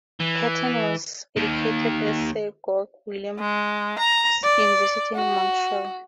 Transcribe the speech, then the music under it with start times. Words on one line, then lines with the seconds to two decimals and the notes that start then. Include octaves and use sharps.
Patten was educated at Sir George Williams University in Montreal.
0.20 E3
1.37 D#2 D#3
3.39 G#3
3.99 A#5
4.43 D5
5.16 F#4